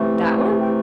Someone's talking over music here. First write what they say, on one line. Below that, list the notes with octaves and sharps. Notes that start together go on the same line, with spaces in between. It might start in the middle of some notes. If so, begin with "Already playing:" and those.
"That one?"
Already playing: C3 E3 A3
G5